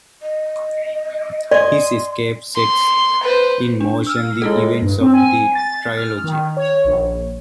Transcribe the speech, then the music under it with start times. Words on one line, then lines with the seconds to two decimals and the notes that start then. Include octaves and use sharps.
His escape sets in motion the events of the trilogy.
0.22 D#5
1.51 D5 D#5 G#5 C6
2.55 C6
3.23 B4 C5
3.81 D4
4.07 E6 F6
4.42 A2 G#3 E4 F4 A4
4.82 G2
5.01 C4
5.14 G#5
5.55 A6
5.97 F6
6.24 D#3
6.57 C#5
6.85 A#1